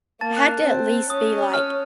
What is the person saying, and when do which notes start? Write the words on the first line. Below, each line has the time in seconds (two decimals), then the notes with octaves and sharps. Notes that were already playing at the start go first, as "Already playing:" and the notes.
had to at least be, like,
0.21 A#3 A5 A6
0.37 F#6
0.66 C4
1.10 C#4 D#6
1.54 F6